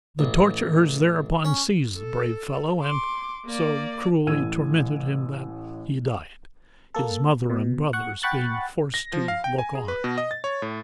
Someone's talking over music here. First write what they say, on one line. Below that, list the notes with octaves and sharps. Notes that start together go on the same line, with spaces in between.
The torturers thereupon seized the brave fellow, and so cruelly tormented him that he died, his mother and brothers being forced to look on.
A1
C#4
A4
C6 D6
A#3 D5
A1 A2 E6 G#6 D#7
A#3 A4
B2
F#5 C#6
F#5 G5 B5 C#6 F#6 A6
A#6
F3
F5
G5
G#5
G#4
B4
B2
D#5
A6
C#5
A2